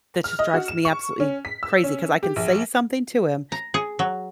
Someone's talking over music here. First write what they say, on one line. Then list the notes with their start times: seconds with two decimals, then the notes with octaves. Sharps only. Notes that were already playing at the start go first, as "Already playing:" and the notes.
that just drives me absolutely crazy 'cause I can say something to him,
0.24 F6
0.39 D#5
0.54 F#4
0.68 E7
0.85 C#6
1.20 C#4
1.45 B6
1.63 E6
1.83 C#4
2.23 G4
2.36 A#1
3.52 A#5
3.74 G#4
3.99 F#3